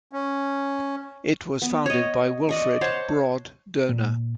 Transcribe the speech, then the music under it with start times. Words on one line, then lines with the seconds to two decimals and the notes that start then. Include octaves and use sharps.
It was founded by Wilfred "Brod" Doner.
0.13 C#4
1.62 B3
1.86 C#5 D#5
2.49 D5 D#5 C#6
2.81 C5 C#5 F#5 A5
3.89 A#2